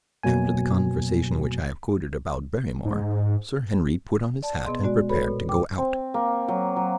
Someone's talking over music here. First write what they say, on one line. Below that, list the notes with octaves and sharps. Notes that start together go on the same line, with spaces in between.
After the conversation which I have quoted about Barrymore, Sir Henry put on his hat and prepared to go out.
F2 B2 F#3 A#3 G#5
G#2
D5 A5
B2 B3 G#4 D#5 C6
G#3 F#4 D5
F#4 G#4 A4 B4 C#5 B5
A#2
D2 G5 D6
C4
A#3
F#3
F#3